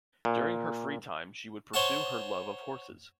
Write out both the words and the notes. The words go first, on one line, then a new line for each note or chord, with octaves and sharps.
During her free time she would pursue her love of horses.
A#2
C5 C#5 F#5 A5